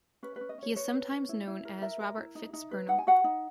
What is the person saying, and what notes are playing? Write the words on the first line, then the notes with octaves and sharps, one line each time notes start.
He is sometimes known as Robert FitzPernel.
C#4 B4
B4
C#4
D#5
C#4 C#5
B4 C#5
B4
C#4
E4
E4
A#4
A#4 E5
A#4
E4
D#4
D#4
B4
D#4 F#5
G#5
F#4 F#5
D#4